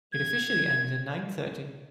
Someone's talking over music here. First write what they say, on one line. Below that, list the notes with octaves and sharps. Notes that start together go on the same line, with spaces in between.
It officially ends at nine thirty.
G#6